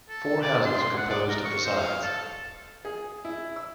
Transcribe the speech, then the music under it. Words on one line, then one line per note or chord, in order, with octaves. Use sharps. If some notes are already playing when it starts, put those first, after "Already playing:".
Four houses composed the sides.
A4
D5
C6
F#5
D5
A#4
C#6
C5
F5
A4
G#4
E4
E6